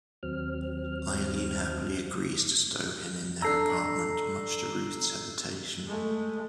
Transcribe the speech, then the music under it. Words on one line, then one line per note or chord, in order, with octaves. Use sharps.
Eileen happily agrees to stow him in their apartment, much to Ruth's hesitation.
D#2 F#3 C4 F6
D4 A4 A#5 E6 C7
G#3 A3